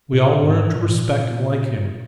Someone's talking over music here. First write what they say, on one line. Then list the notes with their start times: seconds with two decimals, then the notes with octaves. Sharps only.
We all learned to respect and like him.
0.13 A#2
0.43 G#2
0.74 A#2
0.82 G#2
0.91 A#2